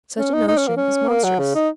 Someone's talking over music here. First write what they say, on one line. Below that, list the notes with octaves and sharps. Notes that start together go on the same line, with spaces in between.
Such a notion is monstrous.
C#4
D#4
D#4
C#4
A#3
C#4
A#3
F#3
C#3
D#4